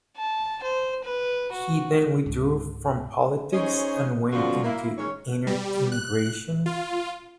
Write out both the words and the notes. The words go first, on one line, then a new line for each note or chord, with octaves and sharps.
He then withdrew from politics and went into "inner emigration".
A5
C5
B4
F#4
C#2 G#2
C#4 D#4 G#4 C5 C#5 D#5
F#2 B2 D3 F3 F4 F#4
A#3 E4
D#3 G#3 C#4 C#5
G3
F#6
F4